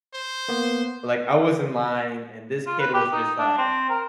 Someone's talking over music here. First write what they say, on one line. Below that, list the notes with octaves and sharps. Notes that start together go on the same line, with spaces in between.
like, I was in line, and this kid was just, like,
C5
A#3 B3
F4
B4
G4
D#4
D4
C4
A#4